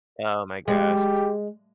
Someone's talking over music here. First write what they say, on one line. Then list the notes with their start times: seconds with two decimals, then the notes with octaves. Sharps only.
Oh my gosh.
0.68 G#3 G4